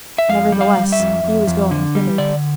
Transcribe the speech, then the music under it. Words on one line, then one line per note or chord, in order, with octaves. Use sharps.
Nevertheless, he was going thither.
E5
F2 F5
G3
F5
G3
E5
F2
F2
F2
D3
G3
D3 D5